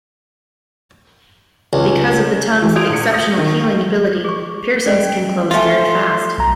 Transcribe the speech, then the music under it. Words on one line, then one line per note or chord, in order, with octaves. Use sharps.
Because of the tongue's exceptional healing ability, piercings can close very fast.
C#2
E3
F4 D#6 G#6 D7 F7
A#1 C#7
D#6 A#6
D#3
G#4 C#6
C#4 D5 D#5 G5
A3 F4 E5 G#5 C6
B1 A#5